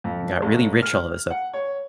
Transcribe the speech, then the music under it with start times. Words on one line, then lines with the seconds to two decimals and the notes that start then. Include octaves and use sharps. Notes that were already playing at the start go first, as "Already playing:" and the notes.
and got really rich all of a sudden.
0.04 F2
0.42 A1
0.83 F6
1.30 F#5
1.53 C#5